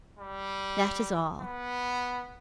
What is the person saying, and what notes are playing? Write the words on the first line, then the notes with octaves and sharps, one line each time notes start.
That is all.
G3
B3